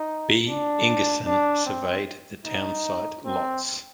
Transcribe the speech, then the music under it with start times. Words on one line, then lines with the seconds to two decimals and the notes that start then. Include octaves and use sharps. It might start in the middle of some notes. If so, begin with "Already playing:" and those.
B. Ingerson surveyed the townsite lots.
Already playing: D#4
0.47 D4
1.26 D4
1.66 C4
2.45 D#4
3.25 C4